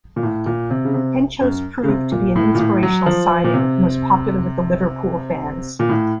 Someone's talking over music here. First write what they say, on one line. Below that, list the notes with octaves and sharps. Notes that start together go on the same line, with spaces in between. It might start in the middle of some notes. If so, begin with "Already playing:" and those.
Henchoz proved to be an inspirational signing and was popular with the Liverpool fans.
A#2
A2
A#2
C3
C#3
C3
F#2
C#3
C3
A#2
A2
A#2
A2
F#3
F3
A#2
C3
A#2
A2